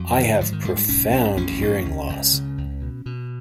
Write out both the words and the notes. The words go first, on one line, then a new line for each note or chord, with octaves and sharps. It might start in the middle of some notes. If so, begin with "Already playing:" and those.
I have profound hearing loss.
Already playing: F2 F#3
D3
G#2 F3
D#3
G#2 G3
G3
B1 C#4
B1
A1 C#4
A1
C#2
C#2
C#3
C#2
B2
B2